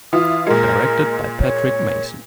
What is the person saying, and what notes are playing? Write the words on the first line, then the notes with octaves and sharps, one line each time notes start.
Directed by Patrick Mason.
E3 E4 F4 D#6
A#2 G#3 A#4
C#5